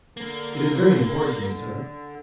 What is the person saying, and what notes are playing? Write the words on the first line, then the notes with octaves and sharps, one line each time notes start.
"It is very important to me, sir."
D3 A#3